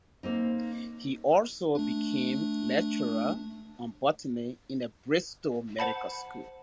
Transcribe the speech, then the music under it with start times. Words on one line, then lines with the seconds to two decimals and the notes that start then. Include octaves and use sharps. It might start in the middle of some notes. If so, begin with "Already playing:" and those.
He also became lecturer on botany in the Bristol medical school.
0.23 A#3 C4 D#4
1.75 A3 D4
5.79 C5 F#5 A5 B5